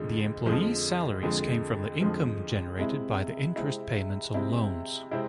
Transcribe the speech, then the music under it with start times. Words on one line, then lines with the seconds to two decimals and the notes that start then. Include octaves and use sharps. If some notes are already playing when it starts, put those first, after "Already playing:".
The employees' salaries came from the income generated by the interest payments on loans.
Already playing: F2 D3 F3 G#3
0.46 F2 D3 F3 G#3
1.23 F2 D3 F3 G#3
2.01 F2 D3 F3 G#3
2.79 C3 G#3 C4 E4
3.56 C3 G#3 C4 E4
4.34 C3 G#3 C4 E4
5.11 C3 G#3 C4 E4